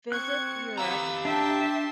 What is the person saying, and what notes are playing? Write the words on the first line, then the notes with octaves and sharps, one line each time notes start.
visit Europe.
C4 C#6 F#6 G#6 C#7
G4 B4 F5 A#5 E6
D4 E5 G5 A5 C6